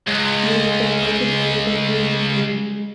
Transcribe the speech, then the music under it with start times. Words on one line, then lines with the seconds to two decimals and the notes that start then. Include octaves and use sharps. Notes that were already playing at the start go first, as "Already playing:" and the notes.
Yet the project never came to fruition.
0.08 C#2 G#3